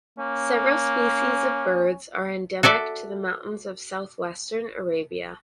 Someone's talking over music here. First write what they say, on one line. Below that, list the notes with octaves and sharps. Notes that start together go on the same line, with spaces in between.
Several species of birds are endemic to the mountains of southwestern Arabia.
A#3 C#4
F#4 A4 D5 E5